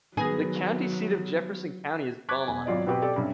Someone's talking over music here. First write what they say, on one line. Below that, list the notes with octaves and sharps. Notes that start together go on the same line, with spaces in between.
The county seat of Jefferson County is Beaumont.
D#3 F#3 B3 G#4 A#6
A5 C#6 D6 F#6 G#6 B6
E1 G#5
G#1 F#3 F4 D5 D#5
B2 C4 F#4 G4 B4
G4 A4 D5
G2 C3 C#4